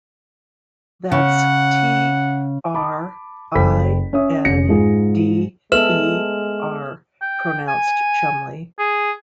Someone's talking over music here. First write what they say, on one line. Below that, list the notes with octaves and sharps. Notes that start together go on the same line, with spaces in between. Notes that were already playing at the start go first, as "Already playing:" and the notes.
That's T-R-I-N-D-E-R, pronounced Chumley.
C#3 F#5
A5 B5 D6
F#1 A4 C5 G5 B5 B6
C#4 C#5 E5 D#6
F1 C#4 A#6 C#7
G#2 F4 G#4
G#3 B3 A4 B4 E5 F6 E7 F#7
G5
G#5
G#4